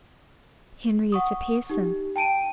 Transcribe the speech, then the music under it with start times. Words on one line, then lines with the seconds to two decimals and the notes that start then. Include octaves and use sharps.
"Henrietta Pierson."
1.12 F#5 C#6 D#6
1.70 D#4 G4
2.16 G5 A5 D7 D#7